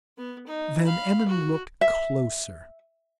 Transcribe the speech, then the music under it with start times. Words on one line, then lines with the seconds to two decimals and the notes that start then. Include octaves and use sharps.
Van Emmon looked closer.
0.17 B3
0.47 D#4
0.85 F5 B5
1.28 F#4
1.81 E5